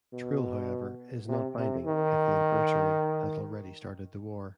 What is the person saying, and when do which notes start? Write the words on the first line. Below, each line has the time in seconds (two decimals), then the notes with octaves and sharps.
This rule, however, is not binding if the adversary has already started the war.
0.13 B2
1.29 C3
1.58 C3
1.86 D#3